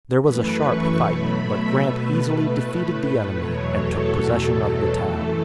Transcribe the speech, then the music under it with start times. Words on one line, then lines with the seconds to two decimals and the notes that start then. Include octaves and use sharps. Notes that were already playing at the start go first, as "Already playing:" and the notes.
There was a sharp fight, but Grant easily defeated the enemy, and took possession of the town.
0.22 F#2 E3 A3 B4
0.61 C#6
1.00 B2 F#3 A3 B5
1.39 E5
1.78 B2 A3 B4
2.18 B4
2.57 A2 A3
3.35 E2 B2 F#3 A3 C#5
3.75 A4
4.13 E2 B2 F#3 A3
4.92 F#2 E3 A3 A4